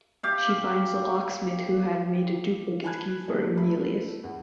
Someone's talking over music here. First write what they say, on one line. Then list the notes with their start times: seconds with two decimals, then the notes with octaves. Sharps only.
She finds a locksmith who had made a duplicate key for Emilius.
0.23 G4 F5
2.84 G#5 A5 B5 F#6 G#6
3.28 G3 A3 A#3 C#4
3.55 A3 B5
4.24 E2